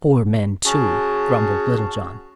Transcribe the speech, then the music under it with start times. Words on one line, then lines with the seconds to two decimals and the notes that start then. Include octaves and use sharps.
"Poor men, too," grumbled Little John.
0.65 C#4 F#4 G#4 A5